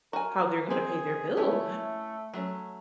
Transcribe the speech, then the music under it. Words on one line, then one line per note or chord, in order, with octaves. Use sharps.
how they're gonna pay their bills,
F#4 A#4 G#5
C4 G#4 C5
A3 C#4 E4
F#3 A3 C#4